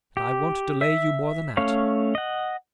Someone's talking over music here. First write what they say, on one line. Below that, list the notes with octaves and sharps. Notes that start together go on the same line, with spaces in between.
And I won't delay you more than that.
G4
E5
A3 C#4 C#5 F5
D#5 F#5